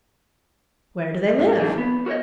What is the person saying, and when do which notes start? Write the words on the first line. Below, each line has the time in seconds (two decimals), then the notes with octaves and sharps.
"Where do they live?"
1.39 G#2
1.59 E3 F#3 A#3 D4 D#4 G#4
1.78 B3
2.06 F#4 A#4 B4 C#5 D#5